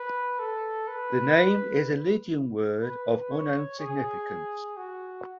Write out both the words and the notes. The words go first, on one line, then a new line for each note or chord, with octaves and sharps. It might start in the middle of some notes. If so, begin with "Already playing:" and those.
The name is a Lydian word of unknown significance.
Already playing: B4
A4
B4
B4
C#5
G#4
F#4